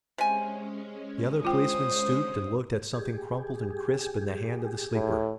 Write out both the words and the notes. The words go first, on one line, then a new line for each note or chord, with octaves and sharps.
The other policeman stooped and looked at something crumpled and crisp in the hand of the sleeper.
C3 G#3 C#4 G#5
F4 C5 G5 D#6
G4 G#4
A2